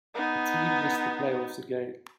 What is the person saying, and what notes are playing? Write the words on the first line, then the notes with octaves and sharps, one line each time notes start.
The team missed the playoffs again.
B3 D#4